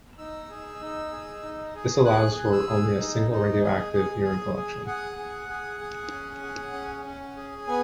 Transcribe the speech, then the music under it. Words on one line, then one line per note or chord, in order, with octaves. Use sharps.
This allows for only a single radioactive urine collection.
D#4 E6
G#4
D#4
G#4
D#4
G#4
G#4 F#6
G#4
E6
G#4
D#4
D#4
G#4
G#4
G#4
G#4
G#4 F#5
G#4
G#4
G#4
C#4
G#4
C#4
C#4
G#4
B3 G#5